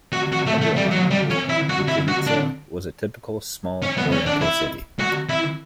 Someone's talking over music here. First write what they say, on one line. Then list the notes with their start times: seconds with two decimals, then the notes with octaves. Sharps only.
Under Ottoman rule Mitrovica was a typical small Oriental city.
0.13 F#4
0.32 F#4
0.47 A3
0.61 A3
0.76 G3
0.91 F#3
1.11 G3
1.30 C#4
1.49 E4
1.69 F#4
1.88 E4
2.08 F#4
2.26 D4
3.83 C#4
3.97 B3
4.12 C#4
4.26 D4
4.41 E4
5.00 F#4
5.29 E4